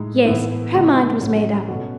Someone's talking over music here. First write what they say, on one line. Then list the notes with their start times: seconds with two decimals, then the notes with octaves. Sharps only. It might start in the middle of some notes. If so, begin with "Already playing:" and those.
Yes; her mind was made up.
Already playing: A2 G#3 D#4
0.25 A2 E3 B3 E4
0.73 C#3 G#3 B3 D#4
1.21 A2 F#3 C#4
1.68 B2 A3 C#4 F#4